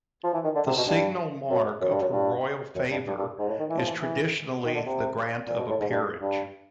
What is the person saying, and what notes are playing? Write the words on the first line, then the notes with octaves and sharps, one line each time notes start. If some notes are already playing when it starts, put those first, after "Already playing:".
The "signal mark of Her Royal favour" is traditionally the grant of a peerage.
F3
E3
D#3
D3
C3
B2
G2
F#2
F#2
G2
F#2
G2
F#2
G2
G2
G2
G#2
A2
D#3
E3
F3
E3
E3
D#3
D3
C3
A#2
B2
A2
G#2
G2
G2